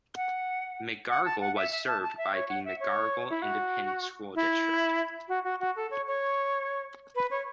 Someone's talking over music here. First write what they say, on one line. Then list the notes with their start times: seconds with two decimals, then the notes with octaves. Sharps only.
Megargel was served by the Megargel Independent School District.
0.16 F#5
1.09 F#5
1.25 A5
1.41 F#5
1.56 E5
1.71 E5
1.87 A5
2.03 A5
2.17 E5
2.33 C#5
2.49 F#5
2.65 E5
2.80 C#5
3.30 E4
3.42 F#4
4.36 E4
5.28 F#4
5.44 F#4
5.60 F#4
5.76 A4
5.91 C#5
6.07 C#5
7.15 B4
7.31 C#5